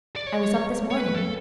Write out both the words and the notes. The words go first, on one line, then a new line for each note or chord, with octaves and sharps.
"I was up this morning."
D5
C#5
C#5
B4
A4